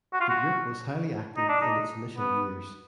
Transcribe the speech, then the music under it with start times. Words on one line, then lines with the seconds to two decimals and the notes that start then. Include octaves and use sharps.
The group was highly active in its initial years.
0.14 F#4
0.21 F4
0.30 F#4
1.37 D#4
1.49 D4
1.61 D#4
2.18 B3